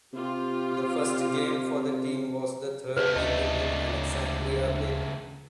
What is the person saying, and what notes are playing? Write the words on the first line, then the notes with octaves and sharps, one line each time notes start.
The first game for the team was the third meeting with Alexandria Bay.
C3 F4 G4
C#2 A3 B4 C5
D2 D4 D#5 A5